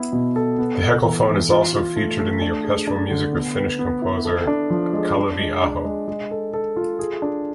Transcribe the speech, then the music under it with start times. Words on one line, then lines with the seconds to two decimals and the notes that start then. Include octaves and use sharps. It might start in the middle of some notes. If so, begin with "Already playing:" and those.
The heckelphone is also featured in the orchestral music of Finnish composer Kalevi Aho.
Already playing: B3 E4
0.12 B2
0.36 A4
0.59 B3
0.82 B3
1.04 E3
1.27 E3
1.50 F4
1.73 F4
1.96 A3
2.19 A3
2.42 D4
2.64 G#4
2.87 D4
3.10 D3
3.33 B3
3.56 B4
3.79 B3
4.02 E4
4.25 A4
4.47 D4
4.70 F3
4.93 G#3
5.16 D4
5.39 G#3
5.62 D4
5.85 G#3
6.08 G#3
6.31 A4
6.54 A4
6.77 F4
6.99 G#4
7.22 D4